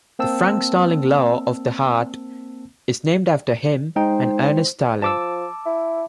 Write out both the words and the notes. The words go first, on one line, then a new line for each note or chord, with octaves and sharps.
The Frank-Starling law of the heart is named after him and Ernest Starling.
A#3 C4 A5 E6
G#3 D#4 C5 G5
F3 A5 D6 E6
E4